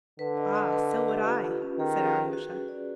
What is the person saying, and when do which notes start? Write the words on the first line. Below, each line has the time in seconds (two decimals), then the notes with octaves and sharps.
"Ah, so would I," said Alyosha.
0.19 D3 B4
0.37 D#5
0.55 D#5
0.73 B4
0.90 B4
1.08 G4
1.26 F4
1.45 F4
1.62 C#4
1.79 D#3 G#4
1.97 G#4
2.15 B4
2.33 F#4
2.51 C#4
2.68 D5